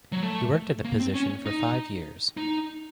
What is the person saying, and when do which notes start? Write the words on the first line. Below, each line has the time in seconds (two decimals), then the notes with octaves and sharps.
He worked at the position for five years.
0.12 F#3
0.23 A3
0.84 A#3
1.00 C4
1.14 C#4
1.46 D#4
2.37 D#4